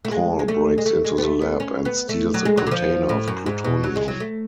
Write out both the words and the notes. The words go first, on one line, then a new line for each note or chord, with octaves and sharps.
Paul breaks into the lab and steals a container of plutonium.
A3
G#3
G#3
A3
G#3
A3
G#3
B3
A3
B3
C#4
B3
A3
F#3
G#3
F#3
D3
F3
A2
F#2
G#2
B2
F#3
G#3
F#3
A3